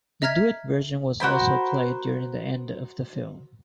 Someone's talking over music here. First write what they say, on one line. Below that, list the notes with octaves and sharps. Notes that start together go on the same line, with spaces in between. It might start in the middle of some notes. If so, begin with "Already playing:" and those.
The duet version was also played during the end of the film.
D#5 E5 A#5 F6 G#6 B6
F#4 A#4 C5 B5